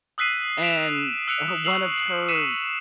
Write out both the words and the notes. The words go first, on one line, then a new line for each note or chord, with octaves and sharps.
and her one of her
D#6 E6 F#6 B6 C7 D#7
B6 D7 E7 F7
E6 F#6 C#7 F7
D#6
C#6 D#6 E6 C7 F7 F#7
B6 C#7 D#7 E7